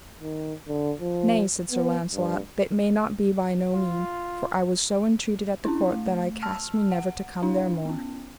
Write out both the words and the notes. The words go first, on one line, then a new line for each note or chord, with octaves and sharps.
Nay, said Sir Launcelot, that may not be by no mean, for I was so entreated at the court that I cast me never to come there more.
D#3
D3
F3
B3
G2
F4
C#4 D4 E4
A3
A5 E6 F6
F#5
D4 E4 F5
B3 C#4